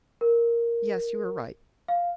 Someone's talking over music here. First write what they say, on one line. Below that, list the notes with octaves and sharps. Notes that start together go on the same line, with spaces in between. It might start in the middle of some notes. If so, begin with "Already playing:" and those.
Yes; you are right.
A#4
F5